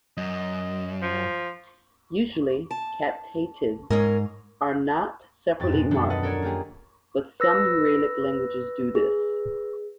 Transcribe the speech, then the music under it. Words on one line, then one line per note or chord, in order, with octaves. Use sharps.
Usually captatives are not separately marked, but some Uralic languages do this.
F#2 D#5
F3
A5
G#2 G#3 C#4 A#4
F2 G#2 A6
B2 G#3
D#1 F#2 F#3 D4 F#4 A4
B4 D#5 F#5 A5
A4 A#4 C#5 D5 G#6
A#3 F4 G4 G#4
B4 E6 A#6
G#4